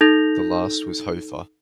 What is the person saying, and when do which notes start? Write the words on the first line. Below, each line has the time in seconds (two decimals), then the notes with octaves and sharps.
The last was Hofer.
0.01 D#4 A4 G6 A#6 F7